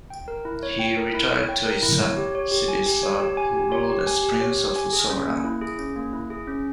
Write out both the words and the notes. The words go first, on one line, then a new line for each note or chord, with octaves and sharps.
He retired to his son, Sibislav, who ruled as Prince of Usora.
G5
A#4
E4
C#5
G5
A#4
E4
C#5
G5
A#4
E4
C#5
G4
C#5
G4
G#5
G4
C#5
G4
G#5
G4
C#5
G4
G#5
G4
C#5
G4
G#5
G#4
C#4
A#3
E4
G#4
C#4
A#3
E4
G#4
C#4